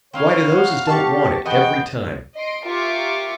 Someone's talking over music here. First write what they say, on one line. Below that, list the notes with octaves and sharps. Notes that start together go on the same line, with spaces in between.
Why, to those as don't want it, every time.
C4 D#4 E4 C#5 F5
F#4 C5
G4 A5 C#6
E2 B3 F#4 D#5 G5
D#5 C6 D7
F4 G4 A#4 E5 C#6 D6